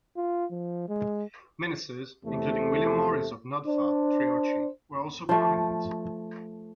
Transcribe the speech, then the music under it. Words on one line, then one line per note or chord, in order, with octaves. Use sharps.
Ministers, including William Morris of Noddfa, Treorchy were also prominent.
F4
F3
G#3
E2 C3 A3
D4 C5
F3 A3